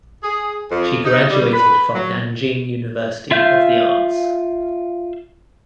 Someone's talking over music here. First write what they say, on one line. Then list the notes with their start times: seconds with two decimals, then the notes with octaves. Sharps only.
She graduated from Nanjing University of the Arts.
0.23 G#4
0.71 F2
1.05 D#4
1.30 G3
1.53 B4
1.93 F#3
3.31 F4 E5 F5 G6